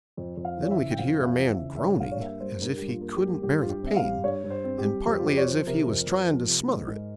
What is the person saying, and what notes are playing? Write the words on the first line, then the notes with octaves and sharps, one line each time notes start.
Then we could hear a man groaning, as if he couldn't bear the pain, and partly as if he was trying to smother it.
F2
F2
F5
E3
C#5
E5
C#3
G5
F2 F5
F2 E5
F5
E3
E5
C#3
E5
G2 C#5
G2 F5
C#5
A#3 E5
G3 C5
G2 A#4
G2 G4
F4
A#3
G4
G3
G2 G4
G2 F4
G4
C4 E5
F5
G3
G2 C#5
G2
C5
C4
G4
G3
F2 G4
F4
F2 G4
C#5
F3 C5
C3 A#4
F2
F2
F3
C3
G#2
G#2